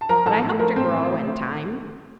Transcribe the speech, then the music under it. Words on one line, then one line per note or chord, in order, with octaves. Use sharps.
But I hope to grow, in time.
A5
F3 A#4 A#5
A1 A4 A5
A2 A4 A5
F3 A#3 A#4
A2 C4 C5
A1
A2